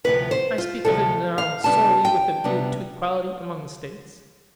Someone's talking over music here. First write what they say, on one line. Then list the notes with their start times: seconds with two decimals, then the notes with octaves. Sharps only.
I speak of it now solely with a view to equality among the States.
0.04 D2 C3 F3 B4
0.31 C5
0.58 F4
0.85 D2 C3 F3 A4
1.38 F5
1.64 C3 G3 B3 D4 A5
2.05 G5
2.44 C3 G3 B3 D4